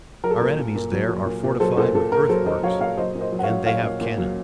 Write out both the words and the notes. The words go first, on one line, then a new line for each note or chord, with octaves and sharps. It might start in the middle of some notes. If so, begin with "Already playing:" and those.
Our enemies there are fortified with earthworks and they have cannon.
F#3 A#4
A4
A#2 A#4
A#2
A#2
F#3
F#3
A#2
A#2
F#3 A4 C5
A#2 A4 C5
A#2 A4
A#2 A#4
F#3 A4 C5
A#2 C5 D#5
F#3 C#5 F5
A#2 C#5 F5
F#3 C5 D#5
A#2
C5 D#5
F#3
F#5
C#5 F5
F#3
F#3 C#5 F5
A#2
A#2
F#3